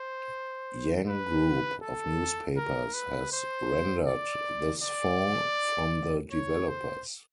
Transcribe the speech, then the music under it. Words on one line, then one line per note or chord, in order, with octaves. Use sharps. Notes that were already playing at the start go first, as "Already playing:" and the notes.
Jang Group of Newspapers has rendered this font from the developers.
Already playing: C5
B4
A4
A#4
B4
C5
D5
D5
C#5
C5